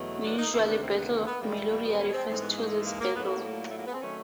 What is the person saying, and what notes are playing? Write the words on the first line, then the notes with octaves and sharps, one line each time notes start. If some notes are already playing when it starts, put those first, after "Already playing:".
Usually, "Battle of Meloria" refers to this battle.
Already playing: E2 B2 F#3 A3
D4
D#4
D2 C3 D#3 E4
D4
C4
B3
A#3
B3
E2 B2 G3 A#3
A3
A#3
B3
C4
C#4
C4
G#2 E3 G#3 C4
B3
A#3
A3
A#3
A#3
A2 F#3 A3 B3
B3
A#3
A#3
A3
A#3
B3
C4
D#3 F#3 A3 C#4